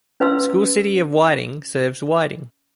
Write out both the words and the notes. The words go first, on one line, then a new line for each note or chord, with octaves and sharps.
School City of Whiting serves Whiting.
C#4 B4 F5 C6 E6